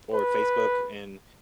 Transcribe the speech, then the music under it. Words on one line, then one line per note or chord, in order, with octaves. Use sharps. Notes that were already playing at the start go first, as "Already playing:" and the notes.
or Facebook, and
B4